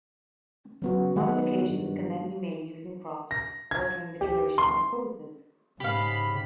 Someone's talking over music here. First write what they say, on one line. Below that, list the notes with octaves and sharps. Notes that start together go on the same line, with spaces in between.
Modifications can then be made using props, altering the duration or poses.
C#3 F#3 B3 F#4
D#3 G#3 B3 F#5
G2
A#6
G#6
G4
C6
G#2 C#3 G4 F5 B5